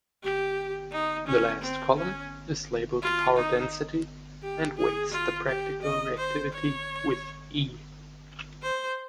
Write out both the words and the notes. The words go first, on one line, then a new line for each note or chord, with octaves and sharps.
The last column is labeled "power density" and weights the practical reactivity with "E".
G4
D#4
C#4
C4
C#4
F4
D#4
G4
G#4
F4
G4
D#5
C5
C#5
C5